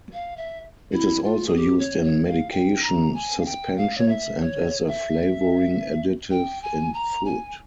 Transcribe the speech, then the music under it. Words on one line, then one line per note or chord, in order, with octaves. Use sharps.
It is also used in medication suspensions, and as a flavoring additive in food.
F5
E5
E4
F4
G#4
G4
C#5
C#5
F5
G5
A#5
G#5
F5
G5
F5
C#5
E5
C#5
E5
G5
G#5
A#5
G#5